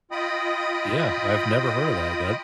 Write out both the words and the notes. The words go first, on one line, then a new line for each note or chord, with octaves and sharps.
Yeah, I've never heard of that, but,
F4 D#5 G5 B5 D#6